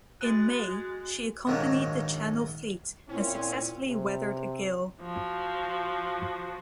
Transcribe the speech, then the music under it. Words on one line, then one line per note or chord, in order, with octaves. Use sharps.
In May, she accompanied the Channel fleet and successfully weathered a gale.
G#3 F#4 F#6 A6
A#1 G#2 D#3 F3 F#3 G#3
A#2 C4 C#4 E4
C3
F3 F#4